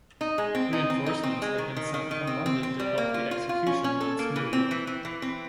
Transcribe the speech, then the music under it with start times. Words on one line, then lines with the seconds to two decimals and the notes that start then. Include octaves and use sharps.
Reinforcements had been sent from London to help the execution run smoothly.
0.21 D#4
0.38 G#3
0.55 C4
0.73 D#4
0.90 C4
1.06 D#4
1.23 C4
1.42 G#3
1.58 D#3
1.77 D#3
1.94 D#3
2.11 D#3
2.27 C4
2.46 C4
2.63 C4
2.79 G3
2.98 A#3
3.14 F4
3.31 F4
3.49 F4
3.67 C#4
3.84 C#4
4.01 A4
4.19 A#3
4.36 E3
4.53 C4
4.71 E3
4.87 E3
5.05 E3
5.22 C4